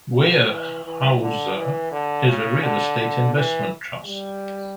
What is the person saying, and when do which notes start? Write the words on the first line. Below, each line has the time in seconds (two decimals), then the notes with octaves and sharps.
Weyerhaeuser is a real estate investment trust.
0.12 F#3
0.48 E3
0.84 E3
1.20 D3
1.55 E3
1.92 D3
2.27 C#3
2.63 D3
2.99 D3
3.35 E3
4.06 G3